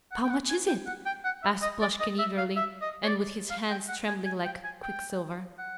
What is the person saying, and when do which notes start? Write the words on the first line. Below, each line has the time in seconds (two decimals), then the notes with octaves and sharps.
"But how much is it?" asked Plushkin eagerly, and with his hands trembling like quicksilver.
0.12 F#5
0.24 G5
0.30 F#5
0.50 G#5
0.68 G5
0.86 F#5
1.06 G5
1.25 F#5
1.43 E5
1.62 D#5
1.81 D5
2.00 D#5
2.19 E5
2.38 F5
2.57 E5
2.81 D#5
3.03 C#5
3.07 D5
3.51 F5
3.70 G5
3.89 F#5
4.08 G#5
4.26 G#5
4.45 G5
4.64 G#5
4.83 G5
5.59 F#5